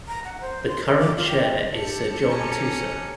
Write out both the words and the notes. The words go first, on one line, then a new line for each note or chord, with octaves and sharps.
The current Chair is Sir John Tusa.
A#5
F#5
C5
C6
A#4
D6
F4
G5
G4 A4 C#7
C#4 A#5